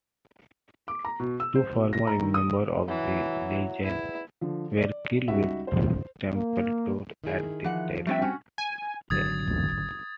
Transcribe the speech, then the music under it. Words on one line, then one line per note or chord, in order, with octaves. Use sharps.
Two former members of the Legion were killed with Trumpeldor at Tel Hai.
D6
A#5
B2
E6
C5
B2
A#6
A#5
D#3
D#6
E3 F#3
E2 E4
D3 F3
D5
C#2 G3 D#4 F#4 E5
C5
A#3
D#3 E4 G#4
E3 F3 F#5
G3 A3 C4 D4 E5 G5
C#4 F#4
G#5
G#1 D3 F#3 D#6 G#6 A6